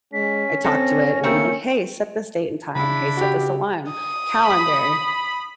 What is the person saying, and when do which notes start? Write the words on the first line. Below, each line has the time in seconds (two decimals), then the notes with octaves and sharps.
I talked to it, and I'm like, "Hey, set this date and time. Hey, set this alarm. Calendar,"
0.13 G#3 C#4 B6
0.64 C4 A4 A#6
1.23 D#3 A3 A#3 C4 C#7
2.75 C#3 D4 E4 B5
3.17 F#4 G4
3.91 D#6
4.42 B5